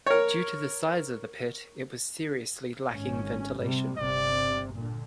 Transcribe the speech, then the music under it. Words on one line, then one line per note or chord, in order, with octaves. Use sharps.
Due to the size of the pit, it was seriously lacking ventilation.
A#4 C#5
G#1 C#4
C3 G3
G1 C3 D5
A#2 D3